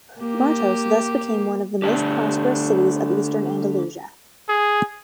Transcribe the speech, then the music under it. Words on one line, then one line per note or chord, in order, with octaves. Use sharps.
Martos thus became one of the most prosperous cities of eastern Andalusia.
A#3 G4
D3 A3 D4 G4
G#4